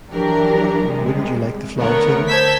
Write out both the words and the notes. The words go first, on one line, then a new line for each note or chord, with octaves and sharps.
Wouldn't you like the flower-table?
E3 F#3 D4 G4 A#4
C3 G3 G#3
D3 A3 B3 A#4 C#5
C5 A5 E6 G6 G#6 B6